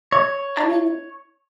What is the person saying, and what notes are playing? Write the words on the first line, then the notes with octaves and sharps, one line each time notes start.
I mean,
C#5